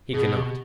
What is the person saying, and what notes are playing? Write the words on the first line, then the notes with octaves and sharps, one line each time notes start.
He cannot.
B2 G#4
G4